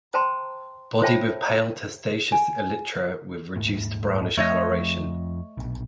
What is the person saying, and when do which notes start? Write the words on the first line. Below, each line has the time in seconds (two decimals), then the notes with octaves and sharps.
Body with pale testaceous elytra with reduced brownish coloration.
0.14 C5 G5 A5 A#5 C6
1.02 C5 C#5 E5 G5 A5 B5
2.32 G#5
3.56 D#1 G#2 A3
4.37 F2 F3 A3 C#5 D#5
5.57 A#1 B2